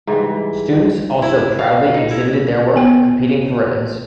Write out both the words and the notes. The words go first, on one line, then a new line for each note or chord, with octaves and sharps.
Students also proudly exhibited their work competing for ribbons.
G#2 E3 G3
E4
F5
D#4
E4
B3 G5